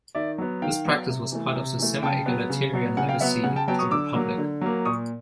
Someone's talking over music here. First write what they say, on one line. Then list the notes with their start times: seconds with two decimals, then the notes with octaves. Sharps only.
This practice was part of the semi-egalitarian legacy of the Republic.
0.15 D#3 D5 E5
0.38 F#3 B3
0.62 D#3 F5 G5
0.85 F#3 B3
1.08 C3
1.32 E3 A3
1.56 C3
1.79 E3 A3
2.03 C#3 G5 A5
2.26 F#3 B3
2.50 C#3
2.73 F#3 B3
2.97 C#3 F#5 G#5
3.09 F5 G5
3.20 F#3 B3 E5 F#5
3.43 C#3 F#5 G#5
3.56 G5 A5
3.68 F#3 B3 G5 A5
3.79 C#6 D#6
3.91 D3 D6 E6
4.14 F#3 A#3
4.38 D3
4.61 F#3 A#3
4.85 A#2 C#6 D#6